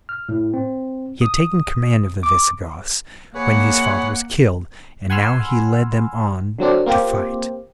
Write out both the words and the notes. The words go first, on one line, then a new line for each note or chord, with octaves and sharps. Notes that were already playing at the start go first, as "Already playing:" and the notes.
He had taken command of the Visigoths when his father was killed, and now he led them on to fight.
F6
A2
C4
D#6
D6
A#3 G#4 B4 C#5 F#5
F#5 G#5 B5 C6 E6 F6
D3 F#3 C4 D4
A#3 C4 F4 G4